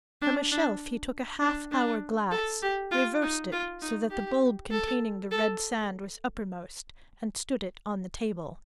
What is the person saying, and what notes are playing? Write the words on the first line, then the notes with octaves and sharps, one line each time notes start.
From a shelf he took a half-hour glass, reversed it so that the bulb containing the red sand was uppermost, and stood it on the table.
D4
D4
D4
D4
A4
G4
F4
D#4
F4
D#4
G4
A4
A4